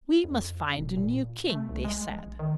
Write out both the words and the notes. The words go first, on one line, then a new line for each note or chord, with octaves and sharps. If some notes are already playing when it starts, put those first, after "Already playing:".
"We must find a new king," they said.
F2
E1
A#2
A3
C2
G#3
A#1
D#3